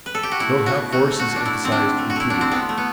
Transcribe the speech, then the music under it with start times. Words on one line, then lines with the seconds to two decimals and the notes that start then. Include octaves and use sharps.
Note how force is emphasized repeatedly.
0.06 B4
0.15 A4
0.23 G4
0.31 F#4
0.39 A3 E4
0.58 B2
0.66 F#4
0.76 B2
0.92 A3 F#4
1.11 A3
1.19 F#4
1.28 B2
1.36 D4
1.45 A3 E4
1.63 D3 C4
1.72 D4
1.80 D3
1.98 A3
2.10 F#4
2.16 A3 E4
2.30 D3 D4
2.41 C4
2.51 D3 B3
2.69 A3
2.78 B3